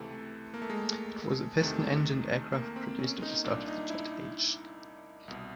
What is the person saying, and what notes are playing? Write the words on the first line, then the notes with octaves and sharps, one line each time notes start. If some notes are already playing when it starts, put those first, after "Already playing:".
It was a piston engined aircraft produced at the start of the jet age.
Already playing: C#2 C3 E3 A3
A#3
A3
G#3
E2 C3 D#3 A3
A#3
C4
C#4
D#4
C2 A#2 D4
D#4
E4
C2 B2